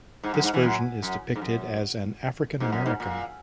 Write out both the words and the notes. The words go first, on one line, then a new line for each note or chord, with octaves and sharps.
This version is depicted as an African American.
G#2
F#2
G#2
E3
F#2
F#2
G#2
F#2
G#2
F#2
G#2
A#2